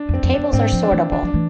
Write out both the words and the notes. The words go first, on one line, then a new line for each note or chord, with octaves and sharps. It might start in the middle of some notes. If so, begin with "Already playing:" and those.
The tables are sortable.
Already playing: D4
F2 C4
F2
F2 D4
G#2 C4
F3
D4
E3
E3 D4
F3 D4
E3